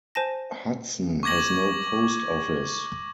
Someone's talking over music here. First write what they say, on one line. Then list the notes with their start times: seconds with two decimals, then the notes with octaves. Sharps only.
Hudson has no post office.
0.15 C5 G#5 A5 A#6
1.23 C#6 D6 G#6 A#6 F#7